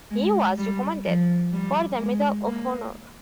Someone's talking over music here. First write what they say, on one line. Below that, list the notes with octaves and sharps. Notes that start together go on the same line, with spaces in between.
He was recommended for the Medal of Honor.
G#3
G3
F3
G3
G#3
A#3